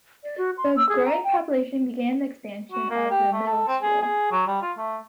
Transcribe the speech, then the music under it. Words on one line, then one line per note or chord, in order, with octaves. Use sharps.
The growing population began the expansion of the middle school.
D5
F#4
C6
E6
G#4
A#5
G5
F#4
A#3
G4
A3
A4
C4
G#4
G#4
F#3
G3
F4
A3